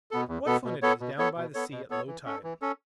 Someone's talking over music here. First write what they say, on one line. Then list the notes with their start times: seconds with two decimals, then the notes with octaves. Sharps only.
What fun it is down by the sea at low tide!
0.11 B2 B3 A4
0.28 E2
0.46 B2 B3 A4
0.64 B2
0.82 B3 A4 C#5
1.00 B2
1.18 B3 A4 C#5
1.37 B2
1.54 B3 A4 C#5
1.72 B2
1.90 B3 A4 C#5
2.07 E3
2.26 C#4 A4
2.43 E3
2.62 C#4 A4